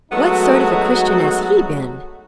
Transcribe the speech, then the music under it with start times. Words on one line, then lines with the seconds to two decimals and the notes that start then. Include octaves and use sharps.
"What sort of a Christian has he been?"
0.12 F#3 G#3 A3 B3 D#4 F#4